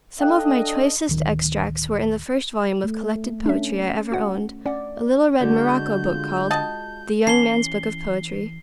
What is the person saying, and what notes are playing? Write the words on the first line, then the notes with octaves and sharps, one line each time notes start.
Some of my choicest extracts were in the first volume of collected poetry I ever owned, a little red morocco book called "The Young Man's Book of Poetry."
D4 A4 D#5 F5 G5 F#6
D1 D#3
A3
C#4 D4 E5
F#4 F#5
C#4 D5 F#5
D3 G#3 F#4 D5 G6
G#3 F4
D#5 F#5 A5
E3 C#4 A5 C7 G7